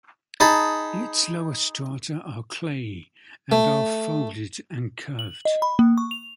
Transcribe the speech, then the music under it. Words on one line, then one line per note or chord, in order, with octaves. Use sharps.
Its lower strata are clayey, and are folded and curved.
D#4 G#4 A5 B5
A3
F#7
D#5
B5
A#3
C#6
F7